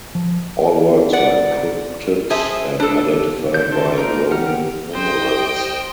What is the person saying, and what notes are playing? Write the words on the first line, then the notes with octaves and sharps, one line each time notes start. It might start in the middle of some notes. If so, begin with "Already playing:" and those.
All works were encrypted and identified by Roman numerals.
F3
D5 F#5
G#4 C5 E5 A5
D4 A4
D3 C5 G6
D#3 A4 A5 C6
A#3 D#4 F4 A#4
G4 F#5 F6
C5 D#5 G5